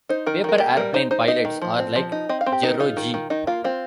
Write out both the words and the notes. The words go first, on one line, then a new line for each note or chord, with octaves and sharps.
Paper airplane pilots are like JerroG.
D#4 C5
D#3 A#4
D#3 A#4
A#3 G4
G3 A#4
D#4 C5
D#4 C5
D#4 D#5
D#3
F3
C4
F3
D#4
C4 D#5
F5
C4
G4
D#4 A#4
D#4 F4
D#3
D#3
D#3 D#4
A#3 F4
C4 F4